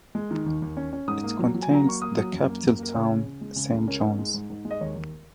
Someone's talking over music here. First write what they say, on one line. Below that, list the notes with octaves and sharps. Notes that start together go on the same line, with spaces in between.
It contains the capital Town, Saint John's.
G#3
D#3
D#2
D#2
C#4
C#4
G#2 D#6
A#3
F#3
F#3
G#5
F#3 A#5
A#3 C#6
A#3 D#6
F#3
F#2
A#3
F#2
A#3 A#4
C#3 C#5
C#3
C#3
G#3
C#3
C#2
C#4 A#4
G#2
G#3
G#2
G#2
G#3
D#5
D#2 C#5
D#2